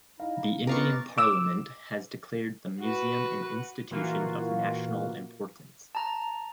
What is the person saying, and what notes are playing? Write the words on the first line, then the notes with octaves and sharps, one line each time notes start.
The Indian Parliament has declared the museum an Institution of National Importance.
D#4 E4 D#5 F5
B3 A#4 B4 D#5 F5 C#6 D6 A6
D6 E6
F#4 B4
A#2 E3 A#3 F4 F#4
A5 A#5